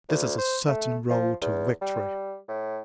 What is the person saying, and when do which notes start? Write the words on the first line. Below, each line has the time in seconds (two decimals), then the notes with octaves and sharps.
This is a certain road to victory.
0.09 D2
0.38 C5
0.68 A3
1.10 F3
1.41 E2
1.82 G3
2.48 A2